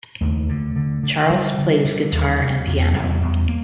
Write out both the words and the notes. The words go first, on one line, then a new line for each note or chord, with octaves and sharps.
Charles plays guitar and piano.
D#2 A3
D3
D3
D3
D3 G3
D3
D3
D#2
C3
E2
E2 G3
F#3
G3
E2
A#3